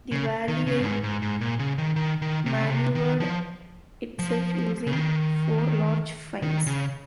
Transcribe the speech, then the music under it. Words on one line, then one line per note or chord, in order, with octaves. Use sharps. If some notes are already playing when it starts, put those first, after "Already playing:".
The Walleye maneuvered itself using four large fins.
C#3
D#3
C#3
G2
G#2
G#2
G#2
A#2
C#3
D#3
D#3
D#3
C3
C#3
C3
D#3
F3
F3
C#3
D#3
D#3
C#3